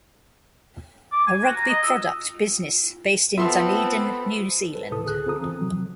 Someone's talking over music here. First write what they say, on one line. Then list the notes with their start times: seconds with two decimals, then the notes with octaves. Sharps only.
A rugby product business based in Dunedin, New Zealand.
1.12 D6
1.27 G#5
1.43 F#4
1.56 A#5
1.70 D#5
1.83 E6
3.38 B3 C4 F4 A4 E5 C6 E6
4.74 A4 B4 C5
4.91 D#2 A2 C3 E4 A4 D#6
5.04 C#2 D3 G#4 F#6
5.26 C4 F4 A4 A#5 D#6
5.40 E3 C4
5.61 C3 F3 F#3